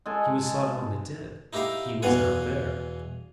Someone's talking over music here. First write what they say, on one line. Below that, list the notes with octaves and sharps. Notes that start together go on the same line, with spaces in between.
He was sought among the dead, he was not there.
G#3 A4 G#5
D#4 E4 G4 A#4 F5
E2 B2 B3 F5 F#5 G#5